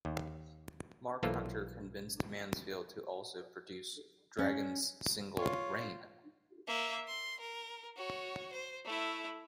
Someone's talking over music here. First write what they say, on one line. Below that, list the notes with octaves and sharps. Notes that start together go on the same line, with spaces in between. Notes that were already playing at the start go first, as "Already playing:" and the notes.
Marc Hunter convinced Mansfield to also produce Dragon's single "Rain".
D#2
B1 E3 A#3 F4 A4 C5
C#4
F4 C#5
A#3 E5
C6
A#4
F#4 C#5
C5
A3 E4